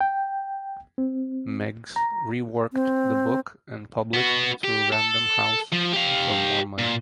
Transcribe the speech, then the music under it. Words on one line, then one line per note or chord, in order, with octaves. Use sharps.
Meggs reworked the book and published through Random House for more money.
G5
C4
A#5
C4
B3 F#4
G4
A4
F3
G4 F5
A#2